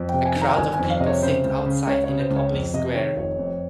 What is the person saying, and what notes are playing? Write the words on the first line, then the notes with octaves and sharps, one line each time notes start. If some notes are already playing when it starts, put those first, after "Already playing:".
A crowd of people sit outside in a public square.
Already playing: F2
C3 G5
G#5
D#3
A#5
G1 G#5
G#5
F2
F5
C3 D#5
C#5
C#3 C5
C#2
C#3
C#2 C#5
C#3 C#5
C5
C#2
C#5
F2
C3 D#5
D#3 C#5
F1 C#5
F2